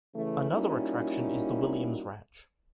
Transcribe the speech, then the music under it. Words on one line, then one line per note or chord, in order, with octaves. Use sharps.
Another attraction is the Williams Ranch.
C#3 E3 A3
G3 A#3 C#4 D#4 E4 F#4